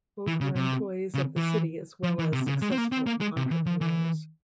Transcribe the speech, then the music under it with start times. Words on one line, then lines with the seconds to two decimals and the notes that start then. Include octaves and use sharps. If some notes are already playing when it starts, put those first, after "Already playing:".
Both were employees of the city as well as successful entrepreneurs.
0.27 E3
0.41 C#3
0.55 C3
1.14 C#3
1.37 E3
2.03 F3
2.19 E3
2.33 C3
2.48 C#3
2.62 G#3
2.71 C4
2.78 A#3
2.92 C4
3.07 A#3
3.21 G#3
3.37 C3
3.51 E3
3.66 F3
3.81 E3